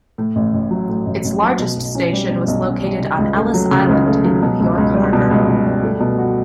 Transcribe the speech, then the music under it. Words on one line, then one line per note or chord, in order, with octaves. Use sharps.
Its largest station was located on Ellis Island in New York harbor.
A2
A1
A1
F#3
A2
A1
A1
F#3
B2
B1
C#4
G3
B2
B1
C#4
G3
C#3
C#2
A3
F#3
C#3
C#2
A3
F#3
B2
C#2
C#2
G3
B2
C#2
C#2
G3
A3
B2
F#4